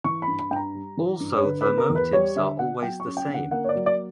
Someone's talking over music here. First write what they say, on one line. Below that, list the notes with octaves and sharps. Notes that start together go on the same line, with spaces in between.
Also the motives are always the same.
E3 C#6
B5
G2
B5
G2 G5
A#5
G3
E3
G2
C#5
D3 B4
B4
B3
A#4
E2
B4
G3 C#5
D3 E5
B3 F#5
F#3 G5
C#6
C#4
G5
D3
F#5
A#3 F#5
C#5
D5
F#3
D5